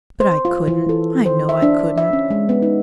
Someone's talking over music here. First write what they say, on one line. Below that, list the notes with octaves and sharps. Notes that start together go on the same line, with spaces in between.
But I couldn't, I know I couldn't.
C5
F4
E3
A4
C5
E5
D4
E5
C#4
G#3
B3
D#4